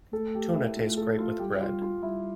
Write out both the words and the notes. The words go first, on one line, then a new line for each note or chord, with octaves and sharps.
Tuna tastes great with bread.
A3 A4
G4
E4
A3 F4
A4
F4
G3 G4
F4
F4
G3 E4